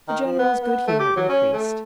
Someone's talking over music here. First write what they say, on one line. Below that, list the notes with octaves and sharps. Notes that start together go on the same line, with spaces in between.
The general's good humour increased.
D#3
F3
B3
B3
A3
G4
F#3
C#4
A3